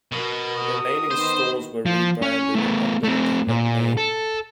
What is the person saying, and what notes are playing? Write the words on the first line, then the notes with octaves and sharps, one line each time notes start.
Remaining stores were rebranded under the Comet name.
B2 F#4 A#4
D#6
D#3 B3 C5
F3
C#4
A3 B3
A3 C4
A#2
A4